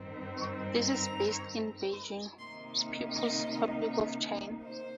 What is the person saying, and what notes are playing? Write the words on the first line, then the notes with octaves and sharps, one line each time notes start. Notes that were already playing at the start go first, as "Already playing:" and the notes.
It is based in Beijing, People's Republic of China.
Already playing: G2 D#3 G3 C4
A#5
C3 D#3 A#3 D#4 C6
D#5
C5